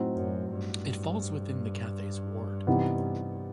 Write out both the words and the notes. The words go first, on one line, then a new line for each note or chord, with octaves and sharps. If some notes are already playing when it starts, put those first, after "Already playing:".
It falls within the Cathays ward.
Already playing: A2 F#3 C4 D#4 F#4
F#2
G2
C3 E3 B3 D#4 G4